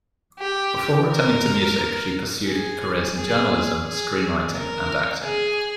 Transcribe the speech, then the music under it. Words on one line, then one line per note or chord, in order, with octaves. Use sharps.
Before returning to music, she pursued careers in journalism, screenwriting and acting.
G4
A#4
G#4
G#4
G#4
A#4
G#4